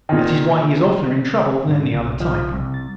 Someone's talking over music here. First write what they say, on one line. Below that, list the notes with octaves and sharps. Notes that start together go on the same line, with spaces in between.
That is why he is oftener in trouble than any other type.
A#2 D#3
G#2 C3 F#3
B1 C#3
F3
C2
A6